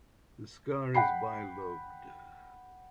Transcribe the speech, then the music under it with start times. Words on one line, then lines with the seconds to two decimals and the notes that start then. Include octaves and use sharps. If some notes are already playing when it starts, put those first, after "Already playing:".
The scar is bilobed.
0.94 F#5 G5 B5 C7